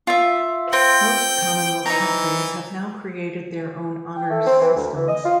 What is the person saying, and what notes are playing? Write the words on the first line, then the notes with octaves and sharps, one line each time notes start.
Most Commonwealth countries have now created their own honours systems.
F4 E5
C4 G5
E3 D#4 A#5
G5
A3
C4
E3
D2
E3
D#5
F4